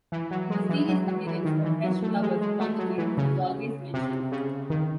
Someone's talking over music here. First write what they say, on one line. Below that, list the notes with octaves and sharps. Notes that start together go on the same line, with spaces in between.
The mysterious appearance of fresh flowers upon the grave was always mentioned.
E3
F#3
G#3
E3
F#3
F#3
E3
D#3
E3
F#3
A3
G#3
G#3
A3
F#3
E3
C#3
C3
C#3
D#3